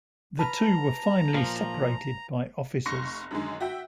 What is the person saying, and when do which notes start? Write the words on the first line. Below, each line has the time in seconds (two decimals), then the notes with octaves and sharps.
The two were finally separated by officers.
0.39 B4 A5 A#5 F6
1.34 A#2 F3 F5
2.86 F1 C6 C#6 A#6 C#7
3.31 F#2 D3 D#3 G#3
3.60 F#4 E5 G5